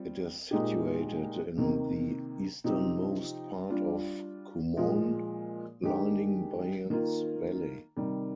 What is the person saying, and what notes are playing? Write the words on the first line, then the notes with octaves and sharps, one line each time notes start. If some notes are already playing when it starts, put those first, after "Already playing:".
It is situated in the easternmost part of Kumaun, lining Byans Valley.
Already playing: G3 C4 F4
A#2 G#3 D#4 G4
C3 D#3 A#3
C3 F3 C4 D#4 G4
G3 D4 F4
A#2 F3 G#3
D#3 G#3 D4 G4
D#3 A#3 F4
C3 D#3 G3